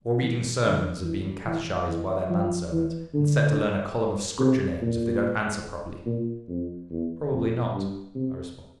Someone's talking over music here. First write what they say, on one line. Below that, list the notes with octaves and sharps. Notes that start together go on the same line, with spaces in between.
Or reading sermons, and being catechised by their manservant, and set to learn a column of Scripture names, if they don't answer properly?' 'Probably not,' I responded.
E3
D3
E3
E3
E3
F3
E3
D3
C3
A#2
A#2
F2
E2
F2
G2
C3